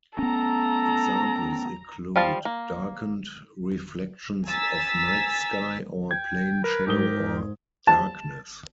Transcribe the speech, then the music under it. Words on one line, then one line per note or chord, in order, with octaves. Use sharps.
Examples include darkened reflections of night sky, or plain shadow or darkness.
B3 C#4 A4 A#5
F3 G3 F5 A5
A#3
G#5 A#5 E6 A6 B6
G5 G#6
A#4 B4
G#2 G4 D#6 G7
A5